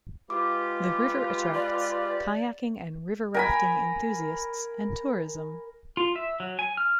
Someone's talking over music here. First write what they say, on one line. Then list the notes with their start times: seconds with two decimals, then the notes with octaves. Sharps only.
The river attracts kayaking and river rafting enthusiasts and tourism.
0.30 G#3 F4 G4 B4 D6
1.54 D5
3.34 A#4 G#5 B5
5.97 F4
6.16 E5
6.40 F#3
6.59 G#5
6.77 F6